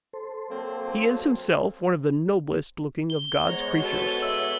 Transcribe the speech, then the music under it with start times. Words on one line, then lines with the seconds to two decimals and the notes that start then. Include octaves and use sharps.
He is himself one of the noblest looking of God's creatures.
0.13 A4 C5
0.48 F#3 A#3 C4
3.10 G7
3.46 G#3 B3 C5 C#5 A#5
3.80 F#4 A4 B4 G7
4.22 E5 E6 G7